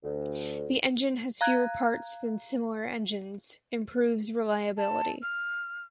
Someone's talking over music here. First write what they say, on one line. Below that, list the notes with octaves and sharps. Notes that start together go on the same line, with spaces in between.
The engine has fewer parts than similar engines, improves reliability.
D2
F5 A#5 F#6 G#6
A5
F6